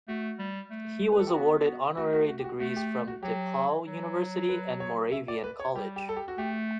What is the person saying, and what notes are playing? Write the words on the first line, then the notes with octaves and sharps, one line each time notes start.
He was awarded honorary degrees from DePauw University and Moravian College.
A3 F#4
G3
A3
B4
A4
G4
B3 F#4
F#4
A3 F#4
F#4
F#4
G4
F#4
A3 F#4
G4
F#4
F#3 G4
F#3
B4
C#5
E5
D5
B4
C#5
G3 G4
G4
A4
G4
F#4
A3 G4